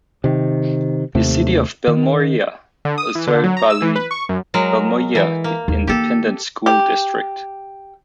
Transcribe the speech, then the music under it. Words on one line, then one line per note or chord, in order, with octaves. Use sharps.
The City of Balmorhea is served by the Balmorhea Independent School District.
C3 D#3
D#2 C3 A3
D#3
D3
D#6
E3
D3
F#3
A#5
E6
E3
B4
C#6
F#2
F#3 G#3 A#4
E3
A#3
D#2
D#3 A#3 G4 A4
G4